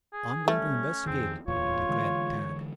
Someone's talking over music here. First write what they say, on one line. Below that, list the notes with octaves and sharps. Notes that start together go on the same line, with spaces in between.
"I'm going to investigate," declared Tad.
G#4
G3 A3 C#4
F2 D#3 C4 G#4
D1 E2 A#2 F4 C#5
D3 E3 G#3